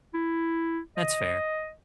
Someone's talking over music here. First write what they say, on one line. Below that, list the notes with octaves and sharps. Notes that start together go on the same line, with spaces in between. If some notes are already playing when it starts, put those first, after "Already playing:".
That's fair.
E4
D#5